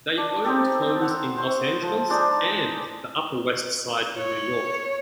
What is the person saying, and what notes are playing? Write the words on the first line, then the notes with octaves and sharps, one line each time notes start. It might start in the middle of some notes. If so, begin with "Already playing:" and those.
They owned homes in Los Angeles and the Upper West Side in New York.
D4
C4 D#4 G4 A4
F#5 A#5 E6
C5 C6 C#6
F3
G#3 D4 D#4
C#5